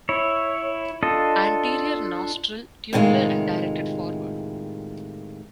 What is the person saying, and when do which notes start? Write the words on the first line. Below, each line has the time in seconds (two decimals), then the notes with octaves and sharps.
Anterior nostril tubular and directed forward.
0.09 E4 C#5
1.03 D4 F4 A4 D#5
2.93 A2 C3 D#3 G#3 F4